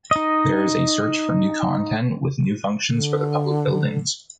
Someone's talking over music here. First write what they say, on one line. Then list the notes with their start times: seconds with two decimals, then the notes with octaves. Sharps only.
There is a search for new content with new functions for the public buildings.
0.11 D#4 D#5
2.92 D3